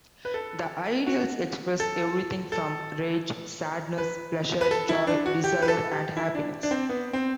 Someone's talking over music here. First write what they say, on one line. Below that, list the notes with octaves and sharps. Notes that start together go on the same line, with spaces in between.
The idols express everything from rage, sadness, pleasure, joy, desire and happiness.
B4
A4
F#4
A4
A4
B4
B4
A4
E4
D4
F#4
G4
B4
A4
G4
E4
D4
D4
C4
B3
C4